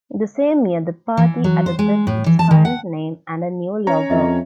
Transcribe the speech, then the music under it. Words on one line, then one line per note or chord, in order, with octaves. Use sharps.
In the same year, the party adopted its current name and a new logo.
E3
F#3
C5
G#3
A2
E3
A5
D#3
F#5
C#4 C#5 A#5
F2 D#5 E5